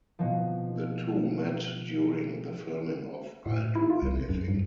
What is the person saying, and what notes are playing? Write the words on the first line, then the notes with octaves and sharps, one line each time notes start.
The two met during the filming of "I'll Do Anything".
B2 F3
A2
E4
F4
C2
F#2
G2